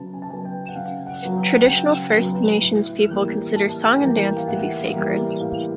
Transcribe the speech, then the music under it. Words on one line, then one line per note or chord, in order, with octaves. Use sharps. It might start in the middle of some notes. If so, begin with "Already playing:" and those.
Traditional First Nations people consider song and dance to be sacred.
Already playing: C#3 F#3 B3 A5
G#5
A5
F#3 B3 G#5
G5
F#5
C#3 F5
F#5
F#3 B3
G5
F#5
C#3 G5
F#3 B3
A2
E3 G3 A#3
A2 A5
G5
E3 G3 A#3
G5
F5
A2 F#5
E3 G3 A#3
A2 F5